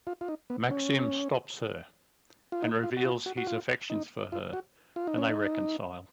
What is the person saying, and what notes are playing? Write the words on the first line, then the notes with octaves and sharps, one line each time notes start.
Maxim stops her and reveals his affections for her and they reconcile.
F4
F4
D#4
B3
C#4
F4
D#4
F4
F#4
F4
F#4
F#4
F4
D#4
F4
F#4
F4
D#4
C#4
D#4